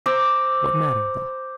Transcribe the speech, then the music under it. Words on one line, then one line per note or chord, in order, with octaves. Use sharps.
What mattered that?
C5 A#5 D6 E6